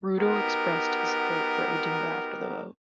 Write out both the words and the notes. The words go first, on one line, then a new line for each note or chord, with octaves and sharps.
Ruto expressed his support for Odinga after the vote.
B3 D#4 F#4 G4 A#4